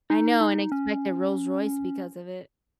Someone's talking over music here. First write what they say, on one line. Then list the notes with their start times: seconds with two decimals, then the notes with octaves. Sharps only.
I know, and I expect a Rolls Royce because of it.
0.10 D#4
0.41 D#4
0.72 C#4